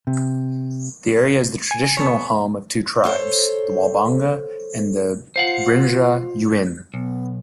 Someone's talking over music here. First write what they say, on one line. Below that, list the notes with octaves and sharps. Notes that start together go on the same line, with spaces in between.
The area is the traditional home of two tribes: the Walbanga and the Brinja-Yuin.
C3
G#5
B3 A4 C#5
A4 C5 C#5
F4 C5 F5 F#5
B1 B3